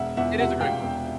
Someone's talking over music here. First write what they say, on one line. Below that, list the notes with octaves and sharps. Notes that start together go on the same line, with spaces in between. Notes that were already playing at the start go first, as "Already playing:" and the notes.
It is a great movie.
Already playing: E1 E5 F#5
E2 E5 F#5
C3 E5 F#5
E1 F5 G5
E1